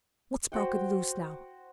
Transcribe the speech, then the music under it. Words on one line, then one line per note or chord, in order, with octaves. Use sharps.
What's broke loose now?
F#4 C5 F#5 G5